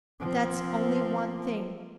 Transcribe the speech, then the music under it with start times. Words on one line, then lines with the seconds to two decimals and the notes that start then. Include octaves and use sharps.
That's only one thing.
0.20 F3 C4